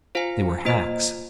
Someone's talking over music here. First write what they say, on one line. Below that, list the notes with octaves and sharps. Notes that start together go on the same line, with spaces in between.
They were hacks.
F4 C5 F5 G#5
A#3 F4 C5 D#5